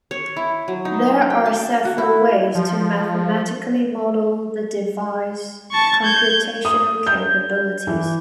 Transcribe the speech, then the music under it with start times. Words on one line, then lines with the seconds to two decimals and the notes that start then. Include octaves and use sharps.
There are several ways to mathematically model the device's computational capabilities.
0.11 C#5
0.37 E4
0.68 F#3
0.85 D#4
1.30 G5
1.46 A5
1.85 F#4
1.98 E4
2.55 F3
5.72 A5 C#6
6.05 G6 G#6
6.65 D#6
7.07 G6
7.87 E3